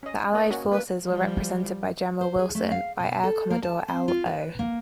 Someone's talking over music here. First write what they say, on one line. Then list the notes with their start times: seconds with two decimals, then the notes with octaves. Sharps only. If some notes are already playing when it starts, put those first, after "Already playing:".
The Allied forces were represented by General Wilson, by Air Commodore L. O.
0.03 C#4 D#5
0.33 A#3 D5 D#5
0.50 A#3 C#4 F#4
0.71 A#3 B4
1.04 F3 G3
2.21 C5
2.39 G#4
2.55 A3
2.71 F5
2.99 B2
3.24 A4
3.50 A#3
3.63 A5
3.88 C4
4.08 F4
4.26 B4
4.59 A#3